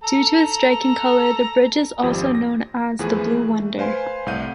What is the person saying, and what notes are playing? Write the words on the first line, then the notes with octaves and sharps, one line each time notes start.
Due to its striking color, the bridge is also known as the “Blue Wonder”.
A4 A#5
G#1 F2 F3 G4
A#6
E2 E3 F3 A3 G#4 B4
A3
B4 C5 F5 G#5 C6
C2 A2 F5 F#5 G6 D#7